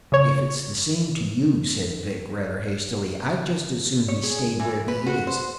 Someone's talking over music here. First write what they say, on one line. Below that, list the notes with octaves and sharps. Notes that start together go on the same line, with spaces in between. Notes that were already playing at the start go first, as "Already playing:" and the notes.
"If it's the same to you," said Vic, rather hastily, "I'd just as soon he stayed where he is."
C#3 C#5
C#5
G#4
E3
B4
F#4
C5